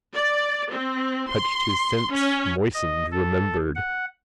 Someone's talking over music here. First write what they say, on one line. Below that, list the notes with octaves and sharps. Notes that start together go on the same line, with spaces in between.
Touched his sense moistened remembered.
D5
C4
C6
C#4
D#5
A4
F#5